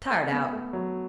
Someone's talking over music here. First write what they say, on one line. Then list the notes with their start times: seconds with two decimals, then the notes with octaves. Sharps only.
Tired out.
0.10 A3
0.32 B3
0.53 A3
0.73 F#3